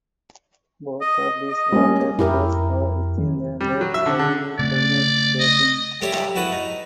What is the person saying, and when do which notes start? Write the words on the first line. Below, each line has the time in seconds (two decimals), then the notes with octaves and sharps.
Both of these watercourses are within the Lake Eyre drainage basin.
1.01 D#5
1.49 D#5
1.72 G3 A#3 C#4
2.19 F2 E4 G4 A#4
3.18 D#3
3.60 G3
3.81 F#3
3.94 E5
4.06 D3
4.19 D3
4.59 C#3 A3 C4 D5
5.40 D#5
6.01 G3 G4 A4 C#5 E5
6.35 E2 E4 F#4 B4 A5 D#6
6.52 D#4